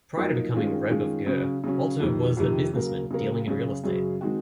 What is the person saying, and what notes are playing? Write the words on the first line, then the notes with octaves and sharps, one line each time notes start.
Prior to becoming Rebbe of Ger, Alter was a businessman dealing in real estate.
F#2 F3 A#3 D#4
D#3 G#3 C#4 F4 G#4
D#3 G#3 C#4 F4 G#4
C#3 F#3 C#4
C#3 F#3 C#4
F2 C3 D#3
F2 C3 D#3
C#3 F#3 A#3
C#3 F#3 A#3
F#2 C#3 F#3 C#4 G#4
F#2 C#3 F#3 C#4 G#4
D#3 G#3 C4 F#4